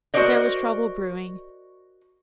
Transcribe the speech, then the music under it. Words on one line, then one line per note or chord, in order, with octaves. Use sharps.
But there was trouble brewing.
F#4 A4 A#4 C5 D5 D#5